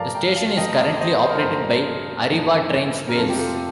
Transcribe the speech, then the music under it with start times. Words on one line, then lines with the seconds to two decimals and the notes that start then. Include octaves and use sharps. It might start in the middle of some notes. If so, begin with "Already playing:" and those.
The station is currently operated by Arriva Trains Wales.
Already playing: G2 F3 A3 A#4 D5 F5 A5
0.14 G5 A#5
0.36 F5 A5
0.57 G2 F3 A3 D#5 G5
0.79 D5 F5
1.00 C5 D#5
1.22 C5
1.29 A#4
1.37 A4 C5
1.44 G2 F3 A3
2.30 G2 F3 A3
3.08 A#4
3.16 F2 C3 F3 A3 F4 A4
3.29 G4
3.38 F4 A4